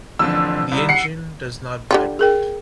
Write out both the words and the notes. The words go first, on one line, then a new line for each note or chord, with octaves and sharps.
The engine does not vibrate.
A1 F2 D3 E6
C2
F#5 C7 C#7
D3 G3 F4
G#4 A#4 G5